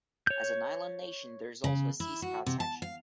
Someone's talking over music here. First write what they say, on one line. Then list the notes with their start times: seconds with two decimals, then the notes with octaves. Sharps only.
As an island nation, there is also a Sea Scout section.
0.27 C#5 G6
1.64 C#3
2.00 E4
2.22 F#4
2.46 C3
2.60 A5
2.82 F5